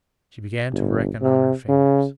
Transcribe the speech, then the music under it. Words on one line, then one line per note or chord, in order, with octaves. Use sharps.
She began to reckon on her fingers.
G1
C3
C#3